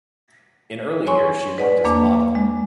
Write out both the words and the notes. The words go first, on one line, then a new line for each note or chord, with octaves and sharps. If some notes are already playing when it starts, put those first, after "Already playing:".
In early years she worked as a model.
C#5 G#5 C6 C#6
B4 D5 F#5 G#5
E2 A#3 D4 A5 A#5
G#3